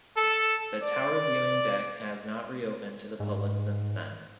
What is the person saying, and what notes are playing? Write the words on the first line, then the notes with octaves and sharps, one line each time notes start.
The tower viewing deck has not re-opened to the public since then.
A4
D5
G#2